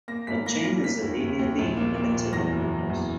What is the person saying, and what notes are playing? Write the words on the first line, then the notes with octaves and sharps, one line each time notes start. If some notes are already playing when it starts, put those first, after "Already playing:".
A chain is a linearly independent set of vectors.
A#3 A#6
G#1 B6
A#3 A#6
A#3 A#6
A#3 B6
D#2
D#2
D#2
A#1
A#3
A#3
A#2
E2 A#6
F#1
F#1
E2